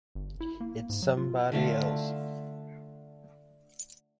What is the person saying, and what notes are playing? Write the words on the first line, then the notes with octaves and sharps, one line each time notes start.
It's somebody else.
G1
E4
A#3
G#2
F#3
F4
D3 A3 F4